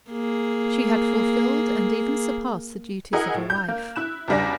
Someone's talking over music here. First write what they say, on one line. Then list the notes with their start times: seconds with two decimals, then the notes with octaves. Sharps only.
She had fulfilled and even surpassed the duties of a wife.
0.10 A#3 G#4
3.13 E4 G#4 A#4 D#5 F#5
3.34 A2
3.50 G6
3.68 A#3
3.96 E4 F#6 E7
4.28 E2 C#3 G3 D4 A#6